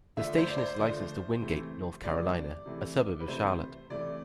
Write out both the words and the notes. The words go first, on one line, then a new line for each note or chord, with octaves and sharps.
The station is licensed to Wingate, North Carolina, a suburb of Charlotte.
D3 F3 A3 D4 E5
C5
D5
C5
D3 F3 A3 D4
C3 E3 A3
C3 E3 A3 D5
C3 E3 A3
B4
C3 E3 A3 C5
C3 E3 A3 D5